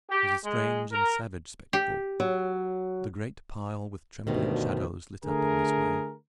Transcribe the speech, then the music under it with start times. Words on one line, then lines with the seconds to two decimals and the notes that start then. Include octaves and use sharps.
It was a strange and savage spectacle, the great pile with trembling shadows lit up in this way.
0.10 G4
0.44 G#3
0.91 A#4
1.73 G4
2.20 F#3
4.27 D2 G2 B2 D#3 C4
5.24 D3 A3 G#4 A#4